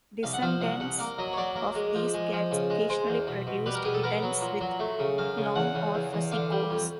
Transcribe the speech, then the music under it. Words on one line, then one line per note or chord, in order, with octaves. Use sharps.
Descendants of these cats occasionally produced kittens with long or fuzzy coats.
C2 F5
F#5
F3 F5
C2 F#5
C2 F#5
A#3 F5
F#3 D#5
C#5
F#3 D5
A#3
G#3
F3
G#3
F3
C#3
G#3
G#3 C5
E2
B2
B2
G3 B4
A#4
B2 G#4
A4
B3 A#4
F#3
A#2
F#3
A3
C#3
F#2 F5
C#3
E2 F#5
C#3
E2
E2
D3 F5
G3
F2